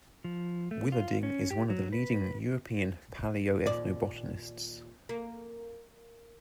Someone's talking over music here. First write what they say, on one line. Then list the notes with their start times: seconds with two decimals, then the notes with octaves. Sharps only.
Willerding is one of the leading European palaeo-ethnobotanists.
0.25 F3
0.71 A3
0.92 F4
1.23 C#4
1.51 G4
1.70 F#3
1.92 B4
3.66 D#2 A#2 D5
5.09 A#3